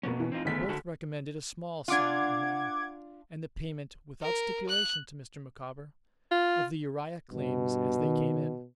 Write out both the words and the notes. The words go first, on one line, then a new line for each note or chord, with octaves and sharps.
We both recommended a small sum in money, and the payment, without stipulation to Mr. Micawber, of the Uriah claims as they came in.
F2 B2 A#3 B3 C#4
E3
C4 D#4 F4
F#1 D#3 A3 B3 B6
D3 F#4 A4
D4 F4 F#5 D6 G#6
A#4
F#6
F4
G2 B2
D#3